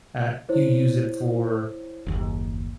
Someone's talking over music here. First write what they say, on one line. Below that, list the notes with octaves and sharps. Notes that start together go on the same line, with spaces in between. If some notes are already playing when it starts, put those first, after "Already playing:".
uh, you use it for
E4 C5 C#5
F#1 D#2